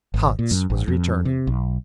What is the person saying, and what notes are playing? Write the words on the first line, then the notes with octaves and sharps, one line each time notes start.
Hans was returning.
G#1
A#2
F#2
A1
F2
C3
B1